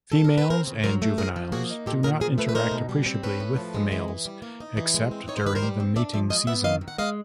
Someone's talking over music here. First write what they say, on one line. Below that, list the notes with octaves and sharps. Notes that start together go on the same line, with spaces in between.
Females and juveniles do not interact appreciably with males, except during the mating season.
A4
A#4
B4
C4 A#4 C5
C#3
F#3 A#4 C5
A3
F3 G#4 A#4
F3
A#3 F#4 G#4
D#4
A#2 G4 A4
A#2 G#4 A#4
F3 G#4 A#4
A3 A4 B4
B4
D#4 A#4 C5
B2
G3
C4
C#4 A4 B4
A2
F3
G#3
E3
E3
G3
A#3
D#4
E3
G#3
C4
D#4 C#5
C5
D#3 B4
A#4 C5
G3
C4
D4 D5 E5
F3 D5 E5
G#3 D#5 F5
B3 E5 F#5
D#3 D#5 F5
D#3
F#5
G#3 D#5 F5